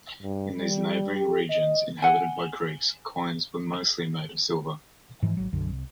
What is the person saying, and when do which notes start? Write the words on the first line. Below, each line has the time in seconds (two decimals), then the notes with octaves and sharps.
In these neighbouring regions, inhabited by Greeks, coins were mostly made of silver.
0.22 G2
0.59 G3
1.15 G4
1.50 D#5
2.02 F#5 G#5
5.22 G#2 E3 F3
5.37 G#1 F#3
5.52 B1 F#2 D3
5.69 C2